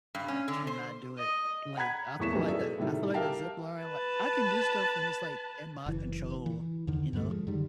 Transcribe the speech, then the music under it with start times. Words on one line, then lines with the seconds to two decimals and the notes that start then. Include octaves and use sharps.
I cannot do it, like, I feel like the I feel like the zipline, like I can do stuff when it's, like, in my control, you know?
0.15 G2
0.28 C#4
0.48 D3
0.67 C5
1.18 D#5
1.77 F#5 A#5 B5 F#6 G#6 B6
2.19 E1 E2 A2 C#6 B6 E7
2.33 F#2 A2 F3 G3 G#3 D#4
2.48 F#4 G#4 A4 B4 D5 E5
2.79 A2 C3 D#3 G3 A3
3.14 G4 A#4 E5 F5 G5 A5
3.80 B4 A5
5.86 F#1 E3
6.46 E3
6.87 E2 D3 D#3
7.13 G2 D3 G3 A3
7.30 F3 G#3
7.47 F#2 D3 D#3 G3